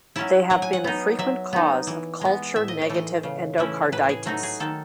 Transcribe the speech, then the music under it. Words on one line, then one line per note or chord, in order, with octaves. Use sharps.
They have been a frequent cause of culture-negative endocarditis.
F#3 C#4 E4 A5
F#3 F#5
G#5
F#5
B3 D#4
F#3 E5
B3 D#4
E3
G#3 B3
A2 E5
D#5
C#5
E3 A3 D#5
C#3
E3 A3 C#4 E4
A2 B4
G#4
F#3 A3 D#4 F#4
G#4
D#3 A4